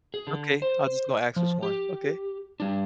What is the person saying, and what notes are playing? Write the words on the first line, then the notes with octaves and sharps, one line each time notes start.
Okay, I was just gonna ask which one, okay.
G#4
D3
C5
F3
G4
G3 D4